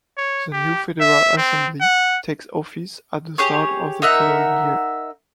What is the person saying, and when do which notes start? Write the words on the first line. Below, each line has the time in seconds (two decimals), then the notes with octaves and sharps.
The new Federal Assembly takes office at the start of the following year.
0.17 C#5
0.52 G4
1.00 E5
1.37 C4
1.81 F#5
3.38 G4 G#4 C#5
4.02 D#4 A#4 E5 F#5